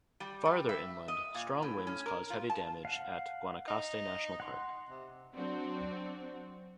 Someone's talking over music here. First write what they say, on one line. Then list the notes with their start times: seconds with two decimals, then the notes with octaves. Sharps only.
Farther inland, strong winds caused heavy damage at Guanacaste National Park.
0.20 G3
0.46 G3
0.69 E5
1.08 D#5
1.34 A#2
1.62 A2
1.87 C#4
2.06 A#4
2.30 F4
2.50 A5
2.85 F5 F#5
3.68 D#4
4.40 F#5 C6
4.89 C3
5.33 F#3 C4 D4 F#4